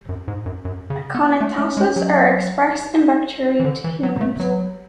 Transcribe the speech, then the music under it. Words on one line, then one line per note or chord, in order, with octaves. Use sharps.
Aconitases are expressed in bacteria to humans.
F#2
G#2
F#2
F#2
C#3
B3
A3 C#4
A3
G#3
F#3
E3
D3
E3
F#3
A3
F#3 B3